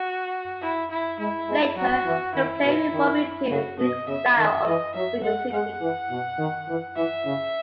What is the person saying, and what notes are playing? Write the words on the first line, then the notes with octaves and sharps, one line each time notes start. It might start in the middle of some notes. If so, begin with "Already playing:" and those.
Later, her playing evolved into a unique style of fingerpicking.
Already playing: F#4
E4
E4
G#3 E4
G#3
F#3 F#4
E3
D#3 E4
B2
D#3
C#3 F#4
B2 D#5
C#3 E5
D#3
E3 D#5
F#3 E5
G#3 F#5
G#3 F#5
E3
B2
D#3
E3
E3 E5
C#3